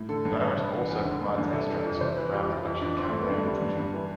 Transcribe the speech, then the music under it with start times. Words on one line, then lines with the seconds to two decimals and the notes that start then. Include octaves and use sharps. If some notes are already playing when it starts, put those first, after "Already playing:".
Barrett also provides extracts from Brown`s election campaign literature.
Already playing: A2
0.09 D3 A4
0.25 G2
0.41 G2 B4
0.57 C3
0.73 E3
0.90 E2
1.05 D3
1.21 G2
1.38 G2
1.53 C3 A4
1.70 E3
1.77 A4
1.85 F2
2.01 C3 C5
2.17 E3 B4
2.33 F2 G4
2.49 E3 F4
2.65 F2 E4
2.81 F2 D4
2.97 D3 C4
3.09 G2 A3
3.22 B3
3.30 G2 A3
3.45 D3 G3
3.62 G2
3.77 G2
3.94 E3